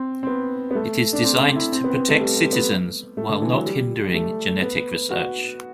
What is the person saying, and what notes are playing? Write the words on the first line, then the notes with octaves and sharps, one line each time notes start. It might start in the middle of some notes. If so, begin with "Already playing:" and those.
It is designed to protect citizens while not hindering genetic research.
Already playing: C4
C4
B3
B3
A3
D4
C4
C4
E4
C4
B3
C4
B3
A3
G3
G3
B3
A3
D3
E3
F#3
G3
A3
B3
F#4